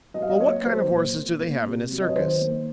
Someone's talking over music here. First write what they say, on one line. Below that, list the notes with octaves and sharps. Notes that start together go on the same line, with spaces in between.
Well, what kind of horses do they have in a circus?
F#3 D#5
F5
D#5
A#3 C#5
F#3 C5
A#2
A#3
A#3
C3
F#3
D#5
C#5
D#3 C5
A#3